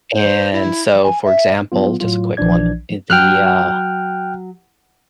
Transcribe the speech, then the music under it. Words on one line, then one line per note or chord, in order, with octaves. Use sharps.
And so for example- just a quick one- the, uh
C5
E4
G#5
E5
F#3 B3 F4
A2 F#3 F4
A#1 E3 F3 D4 D5 G#6
F#3 G5 F6 F#6